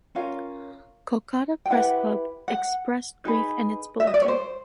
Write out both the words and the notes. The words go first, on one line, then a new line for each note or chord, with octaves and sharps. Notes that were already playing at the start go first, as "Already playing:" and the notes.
Kolkata Press Club expressed grief in its bulletin.
C#4 F4 A#4 F5
G5
E4 G4 B4 F#5
F#5
D#4 G#4 B4
E5
D#5
D5
C#5
C5